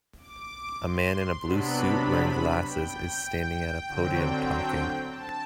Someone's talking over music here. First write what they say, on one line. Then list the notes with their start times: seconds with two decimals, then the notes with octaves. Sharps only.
A man in a blue suit wearing glasses is standing at a podium talking.
0.18 D6
0.80 C6
1.41 C3 F#3 B3 D4 B5
2.65 G5
3.88 D3 F#3 C4
5.09 A5